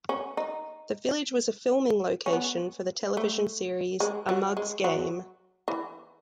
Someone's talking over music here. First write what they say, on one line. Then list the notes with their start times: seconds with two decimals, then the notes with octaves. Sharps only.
The village was a filming location for the television series A Mug's Game.
0.09 C#4
0.37 D#4
2.26 C#4
2.33 B3
3.17 A3
4.00 G#3
4.29 F#3
4.57 G#3
4.84 F#3
5.68 E3